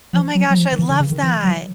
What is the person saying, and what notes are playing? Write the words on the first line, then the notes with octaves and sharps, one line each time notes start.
Oh my gosh, I love that.
F3
F#3
F#3
F3
D#3
E3
D3
C#3
D#3
E3
F#3